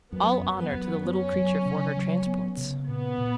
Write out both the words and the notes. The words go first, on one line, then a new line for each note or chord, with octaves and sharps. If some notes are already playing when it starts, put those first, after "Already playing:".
All honour to the little creature for her transports!
F#2 B3
F#2
B3
F#2
B3 C#4
F#3
C#3
F#3
B3
C#3
A#2 B3
A#2